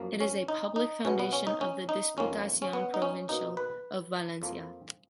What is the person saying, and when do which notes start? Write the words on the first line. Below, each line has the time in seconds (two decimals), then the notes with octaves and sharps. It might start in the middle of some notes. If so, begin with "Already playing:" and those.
It is a public foundation of the Diputación Provincial of Valencia.
Already playing: F#2 F3 A#3
0.20 C#4
0.48 D#4
0.76 D#4
1.05 B2 F#3 B3 C#4
1.19 B3
1.33 C#4
1.47 D#4
1.61 C#4
1.89 D#4
2.17 F2 D#3 A#3 C#4
2.62 C#4
2.73 B3
2.94 D#4
3.02 C#4
3.29 B2 A#3 D#4
3.57 B4
4.42 F2 F3 A#3